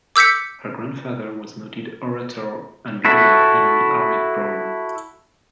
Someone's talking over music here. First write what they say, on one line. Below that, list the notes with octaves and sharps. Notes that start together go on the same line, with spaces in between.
Her grandfather was noted orator and lawyer Henry Armitt Brown.
D6 E6 G6 B6 C#7
E4 F#4 A4 E5